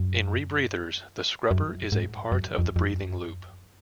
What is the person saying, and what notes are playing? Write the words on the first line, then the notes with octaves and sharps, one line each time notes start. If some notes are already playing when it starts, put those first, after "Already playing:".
In rebreathers the scrubber is a part of the breathing loop.
Already playing: F#2
F#2
G#2
F#2
F2
F2
F#2